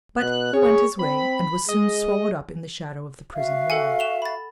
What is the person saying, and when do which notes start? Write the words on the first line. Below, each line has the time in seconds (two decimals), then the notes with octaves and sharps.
But, he went his way, and was soon swallowed up in the shadow of the prison wall.
0.21 B2 F#6
0.53 G#4 C#5
0.99 C4 B5
1.69 G#3 D#5
3.34 F#4 E5 F5
3.70 A4 F#5 G#5
3.99 E7 F7 G7
4.22 B5 A6